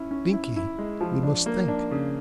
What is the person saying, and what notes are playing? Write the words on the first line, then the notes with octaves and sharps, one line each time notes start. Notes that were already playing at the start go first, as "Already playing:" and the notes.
'Binkie, we must think.
Already playing: C#4 E4
C#4
E4
E4
G#3
F3
D4
A#3
D4
C#3